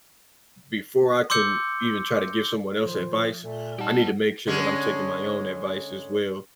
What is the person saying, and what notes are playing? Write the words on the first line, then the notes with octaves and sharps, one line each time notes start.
before I can even try to give someone else advice, I need to make sure that I'm taking my own advice as well,"
C6 D6 E6 G6 C#7
A#2 D#3 F3 C5
A#2 A3
G3 D#4 G4 F#5 A5
D3 G#3 C#4